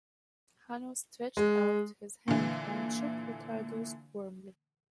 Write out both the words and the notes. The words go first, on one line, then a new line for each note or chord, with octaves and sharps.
Hanaud stretched out his hand and shook Ricardo's warmly.
G#3
A#2 D3 E3